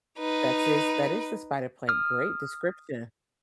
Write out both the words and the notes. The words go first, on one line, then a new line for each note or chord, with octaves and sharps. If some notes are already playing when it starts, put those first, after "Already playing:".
That's is That is the spider plant, great description.
D#4 B4
D#6 F6